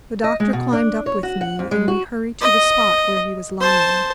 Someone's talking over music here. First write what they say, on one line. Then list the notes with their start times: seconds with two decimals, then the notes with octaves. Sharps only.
The doctor climbed up with me, and we hurried to the spot where he was lying.
0.24 D#5
0.40 G#3
0.53 B2
0.73 D4
1.06 C#5
1.23 F#4
1.41 F#5
1.59 F2
1.71 G#3
1.88 F#4
2.41 D#5
3.60 C5 A5